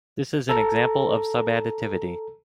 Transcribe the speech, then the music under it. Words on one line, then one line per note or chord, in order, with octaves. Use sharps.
This is an example of subadditivity.
A4 A#5